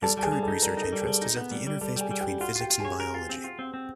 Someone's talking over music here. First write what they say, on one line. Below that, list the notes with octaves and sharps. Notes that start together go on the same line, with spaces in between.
His current research interest is at the interface between physics and biology.
G3 A4 A5
G3 A5
G#4 G#5
G3
A4 A5
D#4
G3 A#4 A#5
D#4 A4 A5
G3
G#4 G#5
G3
D#4
B3
G3
G3
G3 A4 A5
G3 G#4 G#5
G3
G4 G5
G3
F4 F#4 F#5
F4
G4 G5
F4
G#4 C#5 G#5
A#4
F4
C4
F4
C4
C4